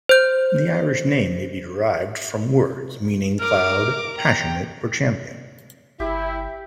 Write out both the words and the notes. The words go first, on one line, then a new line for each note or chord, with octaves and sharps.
The Irish name may be derived from words meaning "cloud", "passionate", or "champion".
C5 G6
A#4 D6 F6
G5 A#5
G1 E4 G4 E5